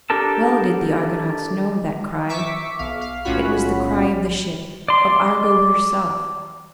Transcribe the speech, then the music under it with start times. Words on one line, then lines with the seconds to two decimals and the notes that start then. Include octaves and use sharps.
Well did the Argonauts know that cry--it was the cry of the ship, of Argo herself.
0.10 D4 G4 A4 A#4 A5
2.29 E5 C#6 D6 B6
2.79 B1 F5
3.01 F5
3.25 B1 A2 C#4 F4 F#4 B5
4.88 D5 C6